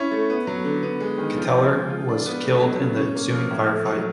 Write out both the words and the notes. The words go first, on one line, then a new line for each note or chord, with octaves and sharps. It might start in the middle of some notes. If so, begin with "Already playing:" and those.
Ketteler was killed in the ensuing firefight.
Already playing: C#4 E4
A3
B3
F#3
D3
B3
G#3
D#3
F3
C4
G#3
F4
D4
B3
A3
F#3
C#3
C#4
A#3
F3
A2
A3
F#3